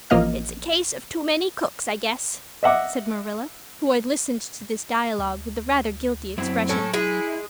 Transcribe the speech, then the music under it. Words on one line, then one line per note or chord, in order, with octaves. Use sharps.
"It's a case of too many cooks, I guess," said Marilla, who had listened to this dialogue with a rather guilty expression.
A1 F3 A#3 D#5 F6
D#5 E5 F#5 D6
D2
F#2 F#3 C4 E4
A2 C#4 A4
G#3 E4 G#4